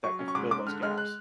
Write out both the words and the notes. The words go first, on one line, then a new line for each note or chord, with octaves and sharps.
that could fill those gaps.
F#3 C#6
C#4
C#6
G#2 D6
G#2 D6
D3 F6
G#3 F6
F#6